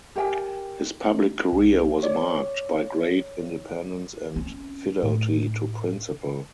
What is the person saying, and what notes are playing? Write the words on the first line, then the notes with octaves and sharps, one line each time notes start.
His public career was marked by great independence and fidelity to principle.
G4 A#4 G5 G#5
C2
C#5 D5
C4 C#4
A2